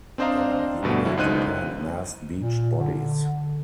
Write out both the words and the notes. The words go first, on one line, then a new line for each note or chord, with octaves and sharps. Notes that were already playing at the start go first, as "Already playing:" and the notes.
There he began to paint massed beached bodies.
C4 D4 C5 D#5 F5 A#5
D2 G2 B2 A3
D3 F#3 E4
C#2 D#4 C5 F#6 D#7
A#2
D3